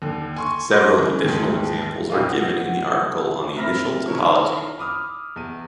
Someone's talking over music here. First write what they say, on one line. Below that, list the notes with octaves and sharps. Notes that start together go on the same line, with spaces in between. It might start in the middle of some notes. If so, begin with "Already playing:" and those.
Several additional examples are given in the article on the initial topology.
D#2 D3
G#5 C6 C#6
B5 C6 D6 F#6 G#6 A#6
E3 C#4
D#2 G#2
B1 F2 D#5 F5
F#5
C4 A#4 E5 B5 F6 A#6
D#3 E4 A4 A#4 C#5
B5 D6 D#6 F6
E2 D#7